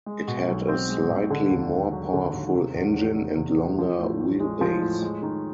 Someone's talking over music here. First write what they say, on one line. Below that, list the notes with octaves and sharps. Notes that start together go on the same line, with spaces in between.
It had a slightly more powerful engine and longer wheelbase.
G#3
B2
B1
C4
G#3
B2
D3
D#2
E1
F#3
D3
D#2
C3
E2
F1
D#3
C3
E2
F3
A2
A1
G#3
F3
A2
G#3
D#3